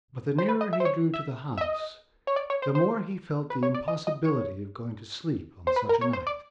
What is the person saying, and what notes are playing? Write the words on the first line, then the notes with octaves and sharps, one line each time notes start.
But the nearer he drew to the house the more he felt the impossibility of going to sleep on such a night.
C5
B4
D#5
E5
C5
C#5
E5
E5
D#5
C#5
D5
C#5
C5
C5
B4
C#5
D5
D#5
D#5
C#5
C5
B4
A#4
C#5
C5
D5